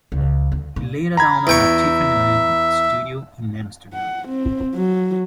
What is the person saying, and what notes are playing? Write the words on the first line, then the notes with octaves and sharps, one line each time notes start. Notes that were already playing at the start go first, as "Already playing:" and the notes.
He later owned a Tiffany lamp studio in Amsterdam.
C#2
D2
A#2
A#5 B5 G#6
E2 E5 G5 C#6
F#5
C4
F#3